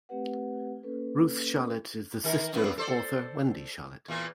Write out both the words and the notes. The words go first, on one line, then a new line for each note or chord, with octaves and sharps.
Ruth Shalit is the sister of author Wendy Shalit.
A3 C4 G4 B4 F#5
A#3 C#4 A4 B4
D#3 A4 A#4
F#2 B3
A4 C5 D5
E2 A#2 A#3